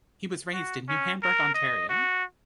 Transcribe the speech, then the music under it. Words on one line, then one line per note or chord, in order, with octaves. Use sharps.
He was raised in New Hamburg, Ontario.
F#4
C#4
A#4
D#5
F#4